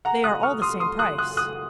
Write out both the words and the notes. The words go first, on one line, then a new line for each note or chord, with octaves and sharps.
"They are all the same price."
F#5 A#5
D#6 F#6
C#6 F6
C6 D#6
C6 D#6
D#6 F#6
D#6 F#6
D#6 F#6